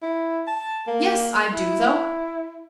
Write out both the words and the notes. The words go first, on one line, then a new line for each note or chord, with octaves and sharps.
Yes, I do, though.
E4
A5
A#3
E4